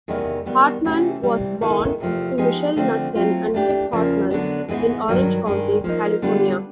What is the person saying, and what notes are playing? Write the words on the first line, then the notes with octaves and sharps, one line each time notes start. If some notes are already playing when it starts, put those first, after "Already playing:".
Hartman was born to Michele Knutsen and Kip Hartman in Orange County, California.
E2 C3 D#3 G#3 B3
D#3 G3 B3
C3 E3 A3 C#4 F#4
C3 E3 G3
D#3 G#3 B3 E4 A4
E2 C3 F3 A3
F3 G#3 B3 D#4 G4
D3 F3 A3 C4
F#3 A3 C4 F4
E3 A3 D4 G4
E2 C#3 F3 A#3
D3 F#3 B3 D4
G#2 E3 G#3 B3
G2 D#3 F#3
G2 D#3 G#3
F3 A#3 D#4
D3 G3 B3 D4 F4